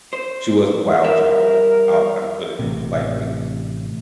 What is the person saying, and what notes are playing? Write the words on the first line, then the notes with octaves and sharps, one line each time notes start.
she was the wild child, I'll kinda put it lightly,
C5
G3 A#4 E5
A1 A2 C3